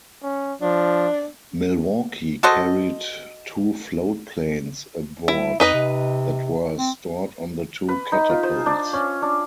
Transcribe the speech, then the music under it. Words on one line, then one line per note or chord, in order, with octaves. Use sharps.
"Milwaukee" carried two floatplanes aboard that were stored on the two catapults.
C#4
F3 D4
F#4 A4 C5 D#5
G3 E4
F2 D#4 B4 D#5
C3
C4
B4
D#4
F4
C5
D4
C#4
D4